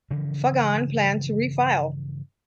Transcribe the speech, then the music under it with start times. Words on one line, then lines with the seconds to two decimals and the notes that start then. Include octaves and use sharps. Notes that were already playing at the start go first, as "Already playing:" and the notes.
Fagan planned to refile.
0.11 G2 C#3 E3 F3